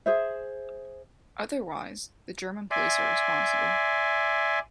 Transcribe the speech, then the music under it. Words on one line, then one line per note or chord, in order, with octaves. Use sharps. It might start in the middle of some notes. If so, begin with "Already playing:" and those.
Otherwise, the German police are responsible.
G#4 C5 E5
D5 E5 G#5 C6